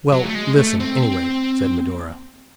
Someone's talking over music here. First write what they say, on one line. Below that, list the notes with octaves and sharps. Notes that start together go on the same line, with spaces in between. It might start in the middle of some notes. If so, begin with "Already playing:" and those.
"Well, listen, anyway," said Medora.
F#3
A3
G#3
A3
C4